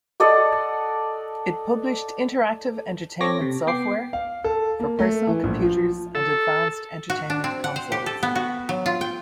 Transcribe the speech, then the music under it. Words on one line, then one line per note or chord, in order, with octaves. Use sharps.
It published interactive entertainment software for personal computers and advanced entertainment consoles.
A4 D5 D#5 F#5
C4 A4 C#5 D6 A#6
C3
B3 G5 D6 C7
F5
A4
A#3
A3
E3
A#1
F3
A4
F#4
D4
C4
F#5
C5
G4
A4
B3
F#4
F#3
F4
G5